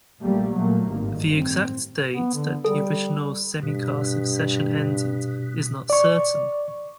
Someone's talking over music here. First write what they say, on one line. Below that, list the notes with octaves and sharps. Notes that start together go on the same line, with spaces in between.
The exact date that the original "semikhah" succession ended is not certain.
A#1 G3 A3 A#3
A#2 F#3 A3 A#3
G#1 G2 D#3
A1 C4
B3
D3
G3 A4
G2 B2
D5 C#6